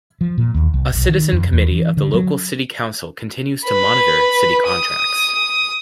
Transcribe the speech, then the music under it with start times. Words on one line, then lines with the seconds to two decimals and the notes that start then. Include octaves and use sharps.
A citizen committee of the local city council continues to monitor city contracts.
0.21 F3
0.38 A#2
0.54 D#2
0.74 C2
0.95 B1
1.09 D#3
1.32 F2
1.53 E2
1.72 E3
1.97 D3
2.14 F#3
3.65 B4
4.66 D#6